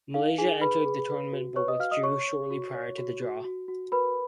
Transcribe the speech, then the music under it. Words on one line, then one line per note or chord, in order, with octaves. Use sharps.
Malaysia entered the tournament but withdrew shortly prior to the draw.
D#4 F5
D#4 G#4 G#5
G#4 B4 B5
G#4
B4
F#4
B4 C#5 C#6
D#5 D#6
F#4 F5 F6
D#5 D#6
C#5 C#6
C#5
F#4
C#5
F#4
F#4
F#4
F#4
A#4 B4 B5